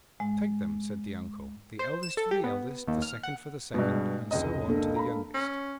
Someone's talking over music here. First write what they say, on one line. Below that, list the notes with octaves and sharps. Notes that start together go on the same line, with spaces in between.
'Take them!' said the uncle; 'the eldest for the eldest, the second for the second, and so on to the youngest.'
G#2 G#3
C5
E7
A4
G4
B3
D#2
F6
F#5
G2 B2 G#3
F1 C#2 D#5
A#3 D4 A4
A#5 B5
C#4